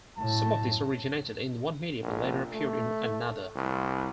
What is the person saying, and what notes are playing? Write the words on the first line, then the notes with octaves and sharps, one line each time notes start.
Some of these originated in one medium and later appeared in another.
F#2 A2 A5
A#1
A3
C2